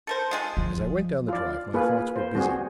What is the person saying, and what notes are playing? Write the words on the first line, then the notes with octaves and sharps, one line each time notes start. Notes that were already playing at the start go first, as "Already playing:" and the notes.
As I went down the drive, my thoughts were busy.
A4 A#4 C5
G#3 F4 G#4
F3
F4 D5
A#3 F4 G#4 B4
C5
G3 C4 F#4 G#4